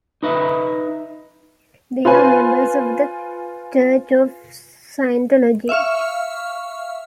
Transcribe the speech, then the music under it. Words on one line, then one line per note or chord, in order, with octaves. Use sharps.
They are members of the Church of Scientology.
D#4 B4 D#5 E5
F4 B4 C5 G#5
E5 F5 C#6 F6